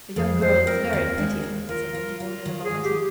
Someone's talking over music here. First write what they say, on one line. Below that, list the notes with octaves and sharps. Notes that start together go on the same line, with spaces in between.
"The young girl is very pretty," said Winterbourne in a moment.
F2 G#4
F2 C5
C4 A#4
D#2
G#3
D#2
F4 A#4
F4
F4
D#3
G#4
G#2
G4